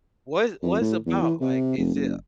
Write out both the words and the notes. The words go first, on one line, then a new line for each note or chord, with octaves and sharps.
What what it's about, like, is it
F2
A2
E2
E3
C3
F1
F#1